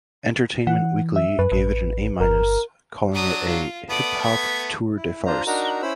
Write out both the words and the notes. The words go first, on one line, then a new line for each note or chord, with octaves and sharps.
"Entertainment Weekly" gave it an A-, calling it a "hip-hop tour-de-farce".
E3 F#5
E5
F#2 B4
A1
G1 A#4
F#3 D4 D#6
F4
A3 B3 D5 D#6
G#6 B6
E4
D4 F4 C5 A#5
D4 D#4 F#4 A#4 A#5
C#4 E4 C5 B5 E6